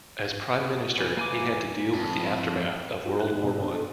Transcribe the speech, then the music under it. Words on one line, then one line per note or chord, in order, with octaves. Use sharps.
As Prime Minister he had to deal with the aftermath of World War One.
E3
A#3 G#5 D6
F2
F#4
F#6
D#2
B1
D4
A4